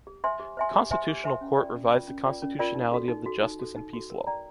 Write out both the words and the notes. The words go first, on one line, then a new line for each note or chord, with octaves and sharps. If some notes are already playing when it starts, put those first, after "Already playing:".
The Constitutional Court revised the constitutionality of the Justice and Peace Law.
G4
C5 E5 G#5 C6
G4
C5 E5 G#5 C6
G4
C5 E5 G#5 C6
G4
C5 E5 G#5 C6
C#4
F4 A#4 D5 G5
C#4
F4 A#4 D5 G5
C#4
F4 A#4 D5 G5
C#4
F4 A#4 D5 G5
D#4
F#4 A4
D#4
F#4 A4
D#4
F#4 A4
D#4
F#4 A4
A#4
D5 G5 A#5